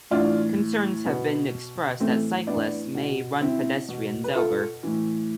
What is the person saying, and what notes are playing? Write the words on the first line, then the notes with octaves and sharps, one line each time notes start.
Concerns have been expressed that cyclists may run pedestrians over.
A2 E3 D4 F4
B2 B3
A2 E3 A3 C4
B3 D4
B2
C4 E4
B2
B4
F4 A4
A2 E3